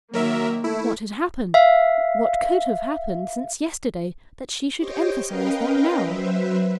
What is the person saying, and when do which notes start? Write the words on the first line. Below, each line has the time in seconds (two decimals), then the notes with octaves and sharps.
What had happened--what could have happened since yesterday that she should emphasise that now?
0.13 D#3 F#3 A#3 A#4 E5
0.64 A3 E4
1.54 E5 F5
4.77 G4 C5 C#5 D#5 G5
5.25 C#4 A#4 B4 D#5 F5 G5
6.02 F#3 B4 C5 E5